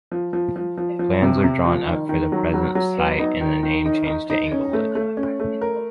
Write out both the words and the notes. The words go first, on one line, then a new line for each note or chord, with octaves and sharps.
Plans were drawn up for the present site and the name changed to Inglewood.
F3
F3
F3
F3
F3
C3
C3
F3
D#3
D#3
F#3
F#3
F#3
B3
D#4
D#3
D#3
D#4
D#4
D#4
C#4
A3
A3
C#4
A3
A#4